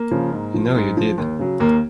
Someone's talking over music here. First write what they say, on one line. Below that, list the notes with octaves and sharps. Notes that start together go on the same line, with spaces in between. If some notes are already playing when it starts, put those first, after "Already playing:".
You know you did.
Already playing: A#3
C#3 F3
G#2
F3
G#2
F3
D#2
C#3 F#3
D#2 A#3